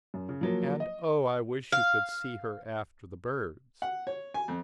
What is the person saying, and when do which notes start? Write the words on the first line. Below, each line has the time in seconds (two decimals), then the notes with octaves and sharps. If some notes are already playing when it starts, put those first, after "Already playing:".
And oh, I wish you could see her after the birds!
0.14 F#2
0.29 C#3
0.41 F3 F#3 A#3
0.80 D#5
1.72 F5
3.82 F#5
4.07 C#5
4.34 G#5
4.48 F2